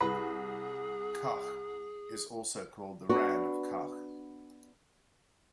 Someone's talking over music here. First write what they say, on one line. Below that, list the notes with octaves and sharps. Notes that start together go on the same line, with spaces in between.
Kachh is also called Rann of Kachh.
C2 G#4 B4
B3 D4 F#4